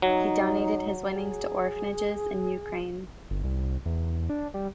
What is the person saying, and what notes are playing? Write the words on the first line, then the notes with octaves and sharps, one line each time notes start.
He donated his winnings to orphanages in Ukraine.
F#3 D#4
G#4
G1
C2
E2
D4
G3